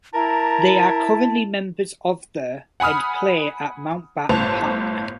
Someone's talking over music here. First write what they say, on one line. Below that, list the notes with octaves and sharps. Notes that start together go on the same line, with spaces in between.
They are currently members of the and play at Mountbatten Park.
E4 A#4 A5 A#5
F#5 G#5 B5 D#6 F6
G1 A2 C5 A5 F7